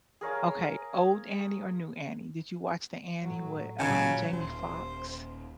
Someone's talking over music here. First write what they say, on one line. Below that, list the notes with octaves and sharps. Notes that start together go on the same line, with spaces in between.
Okay old Annie or new Annie did you watch the Annie with, um, Jamie Foxx
G#4 A#4 C#5 F5
A2 F#3
A#2 C#3 F#3
D#1 C5